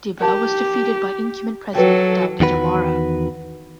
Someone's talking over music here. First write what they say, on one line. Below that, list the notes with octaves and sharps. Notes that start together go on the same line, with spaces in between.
Dibba was defeated by incumbent President Dawda Jawara.
G4 A#4 A5
F#3 A4 B4 G5
E2 D#3 F#4 B4